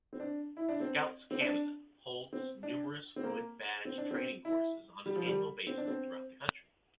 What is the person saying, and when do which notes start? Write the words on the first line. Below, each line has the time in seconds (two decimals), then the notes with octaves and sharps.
Scouts Canada holds numerous Woodbadge training courses on an annual basis throughout the country.
0.13 C4
0.20 D4
0.57 E4
0.69 D4
0.80 C4
1.31 C4
1.41 D4
2.33 C4
2.63 D4
3.16 C4
3.23 A#3
3.85 C4
3.98 D4
4.11 C4
4.45 E4
5.06 G3
5.16 F3
5.26 G3
5.67 C4
5.78 D4
5.88 C4